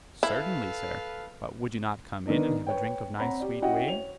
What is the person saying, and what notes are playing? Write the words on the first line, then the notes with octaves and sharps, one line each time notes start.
"Certainly, sir; but would you not come in, and have a drink of nice sweet whey?"
E4 A4 B4 F5
D#3 B3 D4 D#4
B4 C#5 G5
C4 C#5 F#5 A#5 B5
G4 D5
C#4 E4 F#4 D#5 F#5 G5
C#5 F7